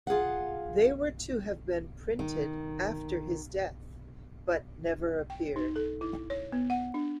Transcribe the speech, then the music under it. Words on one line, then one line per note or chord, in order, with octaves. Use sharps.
They were to have been printed after his death, but never appeared.
F4 G#4 F5 F#5
D#3
G5
D#4
A4
E4
C#5
B3
F#5
D4